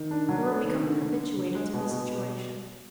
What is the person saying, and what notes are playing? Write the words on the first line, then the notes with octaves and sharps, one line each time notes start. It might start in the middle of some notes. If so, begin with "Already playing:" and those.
We were becoming habituated to the situation.
Already playing: D#3
D4
F#3
A3
D#3
D3
D3
D3
D3
G#3
B2
B2